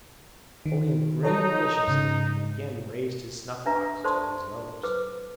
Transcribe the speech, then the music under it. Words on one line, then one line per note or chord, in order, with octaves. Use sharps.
Napoleon grinned maliciously and again raised his snuffbox to his nose.
D#3
D#4 A4 C#5
G#2 C#3
D4 B4 E5 A#5
A4 C5 D5 A5 C6 C#6
A4 B4 C5 D6